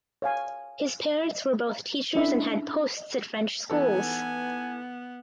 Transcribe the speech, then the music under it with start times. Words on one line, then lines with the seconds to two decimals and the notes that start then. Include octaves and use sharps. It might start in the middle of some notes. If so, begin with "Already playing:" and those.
His parents were both teachers and had posts at French schools.
0.22 C#5 F5 G#5
2.15 C#4 D4 E4 E5
3.70 E3 B3 D#4 A4 G#5